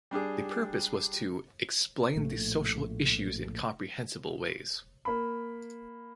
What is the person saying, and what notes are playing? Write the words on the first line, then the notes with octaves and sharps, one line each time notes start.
The purpose was to "explain the social issues in comprehensible ways".
G3 D4 G4 G#4
A#1 A2 A3
A#3 B5